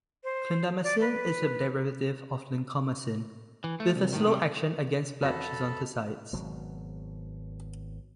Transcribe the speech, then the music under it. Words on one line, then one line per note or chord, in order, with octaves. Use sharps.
Clindamycin is a derivative of lincomycin, with a slow action against blood schizonticides.
C5
D5
B4
E3
A3
C2
A2 D#3
C3 G3
F2 F#4 A4 A5 B5 A#6
G#1 B2 F#3